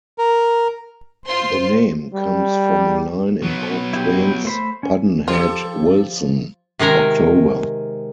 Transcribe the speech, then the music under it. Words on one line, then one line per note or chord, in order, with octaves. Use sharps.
The name comes from a line in Mark Twain's Pudd'nhead Wilson: October.
A#4
F4 C5 C6
G3
F#3 B3
E4 G4
A3 C5 B5
C#4
F3 F4 G4 A4
C3 D#3 G#3 A#4